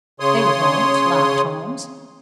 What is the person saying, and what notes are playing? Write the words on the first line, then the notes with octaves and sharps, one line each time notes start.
"They won't," laughed Holmes.
C#3 C#5 C6 D#6